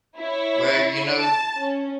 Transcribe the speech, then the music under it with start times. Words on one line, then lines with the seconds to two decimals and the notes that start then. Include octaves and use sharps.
Well, you know,
0.18 E4 C#5
1.18 A5
1.58 C#4